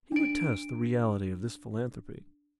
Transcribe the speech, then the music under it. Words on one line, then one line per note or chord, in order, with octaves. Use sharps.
He would test the reality of this philanthropy.
D4 D7